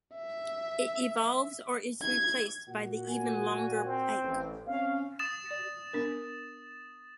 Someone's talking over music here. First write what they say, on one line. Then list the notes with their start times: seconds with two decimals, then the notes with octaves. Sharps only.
It evolves or is replaced by the even longer pike.
0.15 E5
2.02 G#6
2.68 A#2 F#4 F#5
3.09 G#5
3.85 C4
4.22 A1
4.67 C4 C#4 F5
5.19 D#6 A6 E7
5.51 D5
5.93 B3 D4 A#4